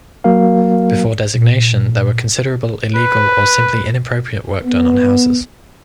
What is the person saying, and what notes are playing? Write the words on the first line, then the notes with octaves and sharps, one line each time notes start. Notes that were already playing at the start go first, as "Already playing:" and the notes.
Before designation there was considerable illegal or simply inappropriate work done on houses.
F#3 A#3 F#4 A#4 F5
A#2
B4
B3